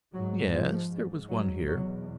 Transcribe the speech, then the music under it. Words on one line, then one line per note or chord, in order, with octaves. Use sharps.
"Yes, there was one here."
G#2 F#3
F3
G#2
F#3
E2 B2 F#3